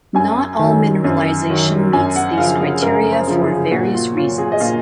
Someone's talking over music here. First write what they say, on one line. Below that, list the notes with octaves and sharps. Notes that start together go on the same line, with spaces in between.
Not all mineralization meets these criteria for various reasons.
F#2 G#5
D#3 F#3
F#2
D#3 F#3
F#2 G#5
F#5
C#3 F3 F5
G#4
F#2 A#4
C5
C#3 F3
G#4
A#2 F#4
F4
F#3 F4
G#4
D#5
A#2 F5